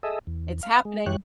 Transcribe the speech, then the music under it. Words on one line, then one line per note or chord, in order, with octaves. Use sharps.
It's happening.
G#4 A4 D#5 E5
E2
F5
G#3
F#2 E3 G4 C#5 F#6